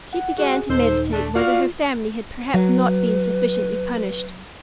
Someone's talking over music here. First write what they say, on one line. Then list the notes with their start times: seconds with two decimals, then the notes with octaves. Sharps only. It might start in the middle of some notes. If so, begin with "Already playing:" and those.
She began to meditate whether her family had perhaps not been sufficiently punished.
0.13 F#5
0.38 G#3 F#4 G#4
0.69 D#1 D#4 A4 C5
1.13 A3 D4 A5
1.35 F4 F#4 D5 F5
2.54 F#3 B4